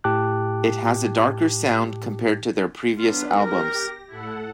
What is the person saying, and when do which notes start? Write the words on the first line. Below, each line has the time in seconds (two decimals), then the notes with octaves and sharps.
It has a darker sound compared to their previous albums.
0.04 A2 G4 G5 A5 D6 F#6
2.98 F#3 B3 D4 F4 B4
3.37 G4 A#4 A#6
4.10 A2 E4 A4 F#5